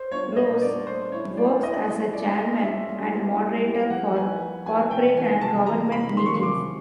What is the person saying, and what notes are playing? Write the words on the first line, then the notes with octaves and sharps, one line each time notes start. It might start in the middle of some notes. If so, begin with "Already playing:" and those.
Ross works as a chairman and moderator for corporate and government meetings.
Already playing: C5
G3 B3 D4 F4 C#5
A#2 D#5
G3 B3 D4 F4 D5
A3 C5
C#4 E4 C#5
A3 D5
C#4 E4 D#5
A3 D#5
C#4 F4 D5
A3 D#5
C#4 F4 E5
G3
B3 E4 G4
G3
B3 E4 G4
F3 F#5
A#3 D#4 F#4 B4 G#5
F3
A#3 D#4 F#4 B4 G#5
C3 G5
E3 G#3 G#5
C3 A5
E3 G#3 A#5
C3 B5
D#3 F#3 A#3 C#4 C6
C#6
C6
C3 D6